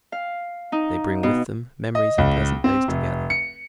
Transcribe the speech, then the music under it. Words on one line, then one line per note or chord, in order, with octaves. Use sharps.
They bring with them memories of pleasant days together.
F5
D#4
B2
D#5
C#2
C4
F1
C#7